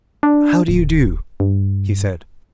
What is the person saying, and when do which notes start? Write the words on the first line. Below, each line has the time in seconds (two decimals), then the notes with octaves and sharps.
"How do you do?" he said.
0.23 D4
0.68 D1
1.40 G2